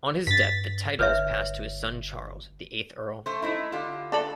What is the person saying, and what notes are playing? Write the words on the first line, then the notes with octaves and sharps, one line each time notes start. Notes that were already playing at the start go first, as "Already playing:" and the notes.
On his death the titles passed to his son Charles, the eighth Earl.
G2 A6 B6
G1 B4 C#5 E5
A3 C5
A3 D#4 E4
D3 F4 G4
D4 A4 B5